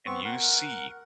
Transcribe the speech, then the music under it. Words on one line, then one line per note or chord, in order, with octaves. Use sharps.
and you see,
B3 C4 C#6
A#4 F#5